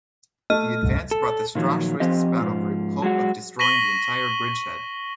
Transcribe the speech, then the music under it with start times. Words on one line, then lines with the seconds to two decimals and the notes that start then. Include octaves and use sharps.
The advance brought the Strachwitz Battle Group hope of destroying the entire bridgehead.
0.50 A3 D#5 F6
0.83 D#1 C2 G2
1.11 A4
1.55 A#2 D#3 F3 F#3
2.00 F3 C4 G4 D#5
2.39 G#2 F3
3.02 F#3 G#3 F#4
3.59 C#6 A#6 B6 D#7 F#7 G7